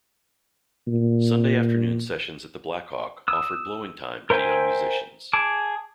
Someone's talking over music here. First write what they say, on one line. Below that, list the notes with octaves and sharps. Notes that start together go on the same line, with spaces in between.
Sunday afternoon sessions at the Black Hawk offered blowing time to young musicians.
A#2
D#6 E6
A#4 C5 E5 G5 G#5
G#4 A5 D6